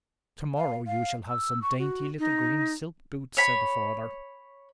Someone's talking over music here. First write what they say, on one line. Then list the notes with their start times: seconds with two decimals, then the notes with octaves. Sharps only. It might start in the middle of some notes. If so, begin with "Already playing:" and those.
"To-morrow you shall have some dainty little green silk boots!" said the father.
0.57 F5
0.86 F5
1.29 E6
1.62 C#6
1.79 F#4
2.19 D#4
3.37 C#5 B5